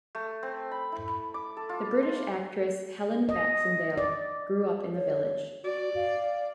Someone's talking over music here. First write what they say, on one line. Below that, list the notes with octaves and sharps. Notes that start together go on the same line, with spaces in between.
The British actress Helen Baxendale grew up in the village.
A3
C4
B5
E4
D6
A4
F4
C6
D#5
D5
C#5
F#4 D5
F5